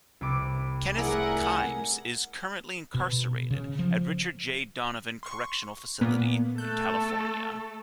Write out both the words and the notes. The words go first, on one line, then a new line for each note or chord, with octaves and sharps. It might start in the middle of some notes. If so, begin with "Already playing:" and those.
Kenneth Kimes is currently incarcerated at Richard J. Donovan Correctional Facility in California.
C2 B5 D6
A3 E4 G#4 A#4 D5 F#5
B2
C#3
F3
C6 C#6
A#2 A#3 B3
A3 A4 F#6 G6